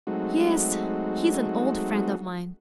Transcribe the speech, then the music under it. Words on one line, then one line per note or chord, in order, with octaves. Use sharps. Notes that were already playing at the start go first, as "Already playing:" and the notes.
Yes, he is an old friend of mine.
F#3 G#3 A3 C4 D#4 F#4